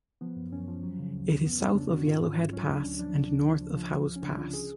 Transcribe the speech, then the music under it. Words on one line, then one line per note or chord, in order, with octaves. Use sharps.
It is south of Yellowhead Pass and north of Howse Pass.
F3 B3
F#2
F#2 C#4
F3
F#3
C#3
D2
D2
F2 B3
F2 C#4
C#3 D4
F2 F#4
G#2 F4
G#2 C#4
G#2
F#3 C#4
D2 D4
D2 C#4
F3 D4
C#3
D2
F3
F3
F3
C#2
C#2
C#4
C#3 D4
C#2 F4
G#4